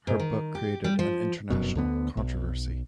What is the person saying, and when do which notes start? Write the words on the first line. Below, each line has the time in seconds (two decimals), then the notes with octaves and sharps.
Her book created an international controversy.
0.07 G#2
0.20 D#3
0.55 G4
0.84 G3
0.99 F3
1.50 F1 F#2 B2
1.75 D2 D3 B3
2.17 B1